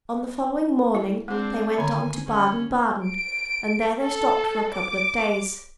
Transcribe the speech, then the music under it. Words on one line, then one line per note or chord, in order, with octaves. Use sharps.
On the following morning they went on to Baden-Baden, and there they stopped for a couple of days.
E4
G#3 C4 D4 G#4
D3 D#3 G#5 A#5
C#4
D7
A4
D6